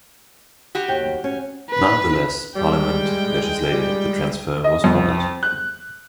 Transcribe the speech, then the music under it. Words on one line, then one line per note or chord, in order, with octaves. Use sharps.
Nonetheless Parliament legislated at the transfer was ordered.
F#4 G4
D#2 G5
C#4
B4
G3 G#3 G5
G3
D#5
F2
F#6